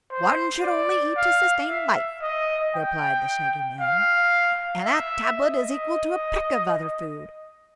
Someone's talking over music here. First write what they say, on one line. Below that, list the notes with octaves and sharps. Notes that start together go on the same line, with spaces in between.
"One should only eat to sustain life," replied the Shaggy Man, "and that tablet is equal to a peck of other food."
C5
D5
F5
E5
D#5
G5
F5
E5
D#5